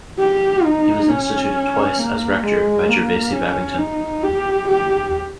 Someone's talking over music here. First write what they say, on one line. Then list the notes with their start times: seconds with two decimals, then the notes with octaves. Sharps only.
He was instituted twice as rector by Gervase Babington.
0.19 G4
0.64 D#4
1.08 C#4
1.98 A#3
2.43 G#3
2.88 A#3
3.33 C#4
3.78 D#4
4.23 G4
4.68 G4